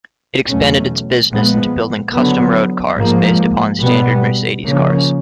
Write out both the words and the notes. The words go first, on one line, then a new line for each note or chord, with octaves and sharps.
It expanded its business into building "custom" road cars based upon standard Mercedes cars.
E2 B2 F#3 A3 C#4
A#2 F3 G#3 B3
D3 F#3 B3
G#2 F3 A#3
B2 G3 B3
C#3 F3 A#3 C#4